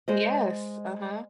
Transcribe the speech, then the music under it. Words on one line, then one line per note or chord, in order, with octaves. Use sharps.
Yes, uh-huh.
G#3 C5 D#5